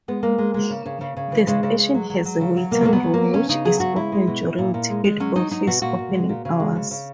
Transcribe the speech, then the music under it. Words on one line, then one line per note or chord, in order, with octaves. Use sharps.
The station has a waiting room which is open during ticket office opening hours.
G#3 B3
G#3 A#3
G#3
G#3
C#3
C#3
C#3
C#3
E3
C#3 G#3
C#3
C#3
F#3
F#3
F#3
C#3
F#3
B2 A#3
F#3 A#3
B3
F#3
F#3 A#3
C#3 C#4
C#3 D#4
F#3 G#4
C#3 F#4
G#3 E4
G#3
B2
B2
A#2
A#2
G#3
G#3
F#3 C#4
F#3 D#4
F#3 D#4
B2 F#4
A#2 F#4
A#2
G#3
A#2
C#3
G#3
C#3
C#3